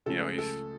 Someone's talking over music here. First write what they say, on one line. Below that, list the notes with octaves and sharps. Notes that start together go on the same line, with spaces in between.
you know, he's,
C#2 C#3 F3 A3 C#4 A4
G#4
A4